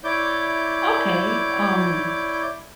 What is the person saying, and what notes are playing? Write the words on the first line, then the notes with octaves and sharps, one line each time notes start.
Okay. Um,
E4 C#5 D5 D6 G6